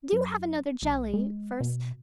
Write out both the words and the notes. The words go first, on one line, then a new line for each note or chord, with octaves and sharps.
Do have another jelly first.
F#2
B1
G#3
B2